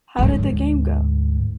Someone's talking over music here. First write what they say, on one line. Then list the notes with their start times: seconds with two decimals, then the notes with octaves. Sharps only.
How did the game go?
0.19 D2 G#2